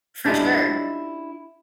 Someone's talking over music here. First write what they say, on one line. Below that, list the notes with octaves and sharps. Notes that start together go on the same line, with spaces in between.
For sure.
C#4 D4 E4 F4 G4 D#5